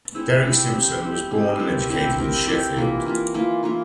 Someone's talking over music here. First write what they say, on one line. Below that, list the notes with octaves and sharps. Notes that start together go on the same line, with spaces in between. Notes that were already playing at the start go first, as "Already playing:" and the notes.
Derek Simpson was born and educated in Sheffield.
C4 E4 G#4 C#5
G3 C4 E4 G4
G3 C4 E4 G4
G3 C4 E4 G4
G3 C4 E4 G4
C4 E4 G4 A#4
C4 E4 G4 A#4
C4 E4 G4 A#4
C4 E4 G4 A#4
E3 A#3 F4 A#4
E3 A#3 F4 A#4
E3 A#3 F4 A#4
E3 A#3 F4 A#4